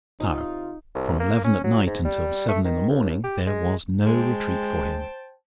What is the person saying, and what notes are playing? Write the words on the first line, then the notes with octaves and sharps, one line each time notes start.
Now from eleven at night until seven in the morning there was no retreat for him.
C3 D#4 F4
C2
A#3
C#4
F#3
G#2
G3
A3
D#3
D#2
G4
G#3
G#3 C5 G5 A5